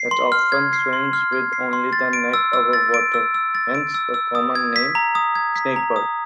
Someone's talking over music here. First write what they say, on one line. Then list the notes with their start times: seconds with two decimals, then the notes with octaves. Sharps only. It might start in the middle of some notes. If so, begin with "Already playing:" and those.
It often swims with only the neck above water, hence the common name "snakebird".
Already playing: C7
0.11 C6
0.32 F6
0.52 G#6
0.73 C7
0.93 C6
1.13 F6
1.33 G#6
1.53 C7
1.73 C6
1.93 A6
2.13 D7
2.34 E6
2.53 E6
2.73 A6
2.94 D7
3.14 E6
3.34 E6
3.55 A6
3.75 D7
3.94 E6
4.14 E6
4.35 D#6
4.55 G#6
4.76 B6
4.95 A#5
5.15 D#6
5.35 G#6
5.56 B6
5.76 A#5
5.96 D#6